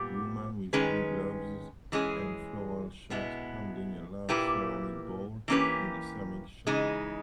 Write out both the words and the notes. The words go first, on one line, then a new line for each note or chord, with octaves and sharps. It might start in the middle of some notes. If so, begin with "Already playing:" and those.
Woman with blue gloves and floral shirt handling a large ceramic bowl in a ceramic shop.
Already playing: A#2 G3 B3 G4
D#3 G#3 C#4 G#4 B4
E3 G#3 C#4 G#4
B2 G#3 B3 E4
A#2 A#3 E4 G4 B4
E3 A#3 C#4 G4 B4
C#3 E3 G#3 D#4